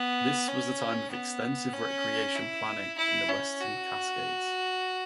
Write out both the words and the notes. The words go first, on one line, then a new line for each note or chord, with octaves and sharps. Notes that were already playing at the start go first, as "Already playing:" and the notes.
This was a time of extensive recreation planning in the western Cascades.
Already playing: B3
C#4
B3
C#4
E4
E4
C#4
F#4